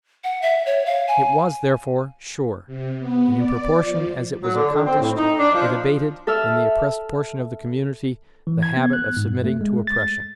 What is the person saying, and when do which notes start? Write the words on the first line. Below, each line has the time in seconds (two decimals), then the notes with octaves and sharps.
It was, therefore, sure; and, in proportion as it was accomplished, it abated, in the oppressed portion of the community, the habit of submitting to oppression.
0.24 F#5
0.42 E5
0.66 C#5
0.86 F5
1.08 G#5
2.67 C3
2.99 B3
3.36 D5
3.81 F3
4.43 F#3
4.55 D3
4.74 D3
4.86 C4
4.99 A2
5.17 D#4
5.39 D4
5.54 F3
6.27 A4 E5 E6 F6
8.47 E3
8.63 G#6
8.77 B3
8.93 F#6
9.17 G#2
9.29 G2
9.44 A3
9.61 G#3
9.87 A6